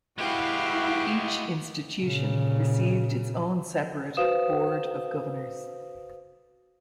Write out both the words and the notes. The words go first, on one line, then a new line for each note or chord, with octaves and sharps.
Each institution received its own separate board of governors.
G#3 E4 F#4 G4 B4 E5 F5
A#2 C#3
F#4 B4 C5 F5 D#6 E7